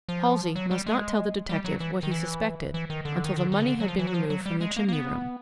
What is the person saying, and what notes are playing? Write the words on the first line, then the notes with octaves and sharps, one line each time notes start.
Halsey must not tell the detective what he suspected until the money had been removed from the chimney-room.
F3
F#3
G3
G#3
G3
F#3
E3
D#3
E3
E3
D#3
D3
D#3
D3
D#3
C#3
D3
F#3
F3
E3
F#3
F3
F#3
G3
G#3
A#3
A#3
B3